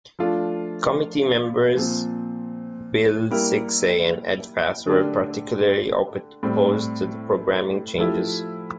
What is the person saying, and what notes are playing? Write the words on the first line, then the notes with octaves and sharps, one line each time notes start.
Committee members Bill Siksay and Ed Fast were particularly opposed to the programming changes.
F3 A3 D4 F4
A#2 F3 C4
G3 A#3 E4 G4 A#4
D3 A3 D4 G4
A2 G3 C4
F3 A3 E4 G4